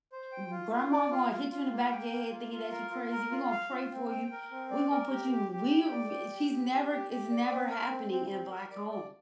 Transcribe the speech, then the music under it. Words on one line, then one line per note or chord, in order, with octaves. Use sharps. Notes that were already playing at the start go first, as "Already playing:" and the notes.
M grandma gonna hit you in the back of your head thinking that you crazy. We gonna pray for you. We gonna put you we w she's never it's never happening in a black home.
C5
G5
F4
F4
D5
F4
F4
F4
A#3
G5
A#3
F4
F4
A#4
F4
A#4
F4
F5
F4
C4
G5
A#4
C4
D5
A#4
G4
G4
G4
G5
D5
G5
G4
G4
G4
G4
G4
D5
C4
A#4
C4
C4
C4
A#4
D5
D5